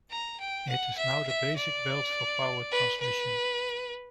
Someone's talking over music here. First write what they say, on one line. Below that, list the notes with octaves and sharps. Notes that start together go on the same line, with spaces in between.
It is now the basic belt for power transmission.
A#5
G5
F#5
E5
E5
D5
B4
B4